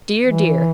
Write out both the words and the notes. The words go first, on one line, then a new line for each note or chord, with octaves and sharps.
Dear, dear!
E3